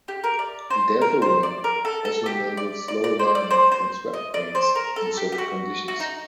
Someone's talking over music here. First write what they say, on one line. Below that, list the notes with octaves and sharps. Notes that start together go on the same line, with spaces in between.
The delta wing also enabled slower landings than swept wings in certain conditions.
G4
A#4
D5
C5
A#4
C5
D5
A#4
A4
A4
G4
D5
D5
D5
C5
D5
C5
C5
D#5
D5
C5
A#4
A4
G4
G4
F#4
F#4
D#4